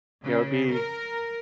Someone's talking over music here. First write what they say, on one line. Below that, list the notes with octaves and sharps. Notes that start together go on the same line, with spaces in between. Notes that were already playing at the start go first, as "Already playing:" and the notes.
Yeah, it'd be
C#3
A#4